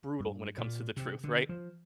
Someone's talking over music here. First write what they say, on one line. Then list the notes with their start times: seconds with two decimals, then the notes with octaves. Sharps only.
brutal when it comes to the truth, right?
0.20 G2
0.58 A#2
0.97 C3
1.24 D3
1.49 F3